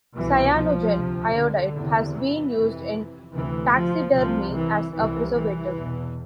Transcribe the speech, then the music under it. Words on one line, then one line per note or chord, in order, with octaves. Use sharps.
Cyanogen iodide has been used in taxidermy as a preservative.
C2 B2 E3
F3
D2 C3
D3
E2 C3
E3
F2 C3
D2 C3 E3
F3
C2 C3 F3
E3
C2 C3 E3
E3
E2 B2